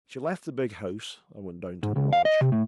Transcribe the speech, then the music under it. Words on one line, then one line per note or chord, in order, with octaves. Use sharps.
She left the big house and went down to the lodge.
G#2
C#2
F5
D#5
C3
A2